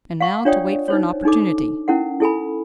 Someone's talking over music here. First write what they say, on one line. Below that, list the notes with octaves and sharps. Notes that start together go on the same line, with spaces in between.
And now to wait for an opportunity!
F5 F#5 C#6
D4 F4 C#5 D5 G5 D#6
D#4 C5 C#5
D4 D#4 A4 D6
C#4 E4 A#4 F#5
E4 A4 G#5 B5